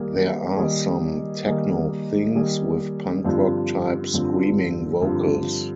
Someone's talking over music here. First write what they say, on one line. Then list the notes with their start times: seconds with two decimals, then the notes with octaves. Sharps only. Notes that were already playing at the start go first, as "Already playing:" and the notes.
There are some techno things with punk-rock-type screaming vocals.
Already playing: D#3 G3 A#3 D#4 G#4
0.57 D#3 G3 A#3 D#4 G#4
1.46 D#3 G3 A#3 D#4 G#4
2.35 D#3 G3 A#3 D#4 G#4
3.24 G2 D3 F3 C4
4.14 G2 D3 F3 C4
5.02 G2 D3 F3 C4